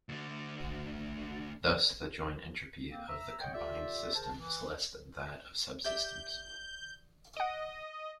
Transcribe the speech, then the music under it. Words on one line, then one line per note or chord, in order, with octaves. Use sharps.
Thus the joint entropy of the combined system is less than that of subsystems.
D2 D3
A#3 C4
E5 A#5 E6
C#5 D#5 F#5 G5
F4 G4 A4 D5 E5
G#4 A#4 C5 A5
E3
G4 D5 E5 G6
D#5 F#5 D7